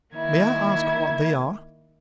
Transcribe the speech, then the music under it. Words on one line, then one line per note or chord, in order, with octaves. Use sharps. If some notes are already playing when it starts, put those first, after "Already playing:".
May I ask what they are?
D#3 A#3 E4 G#6